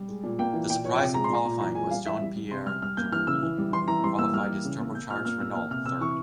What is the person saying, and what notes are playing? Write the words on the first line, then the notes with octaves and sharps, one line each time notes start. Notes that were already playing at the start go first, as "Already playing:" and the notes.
The surprise in qualifying was Jean-Pierre Jabouille who qualified his turbocharged Renault third.
Already playing: G3
G#3
A#2
A#3 G5
E3
A#2 G5
F3 C#5
C3 G5
G#3 A#5
C6
A#2 A#5
A#2
E3 A#5
G#3 G#5
G3 F5
E3 E5
G3
G3
C3 C6
G3 F6
G3 F6
A#3 G6
E3 F6
C#3 E6
E3
G3
E3 C6
E3 A#5
G3 C6
A#3 E6
G3 F6
E3
C#3
A#3
A#3 G6
A#2 F6
A#3 F6
A#3 E6
A#3 F6
C3 F6
C3 E6
E3 C#6